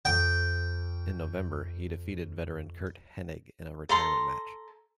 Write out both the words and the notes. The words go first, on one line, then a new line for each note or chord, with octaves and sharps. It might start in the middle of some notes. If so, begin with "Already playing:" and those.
In November, he defeated veteran Curt Hennig in a retirement match.
F2 G5 D#6
A4 A#5 C6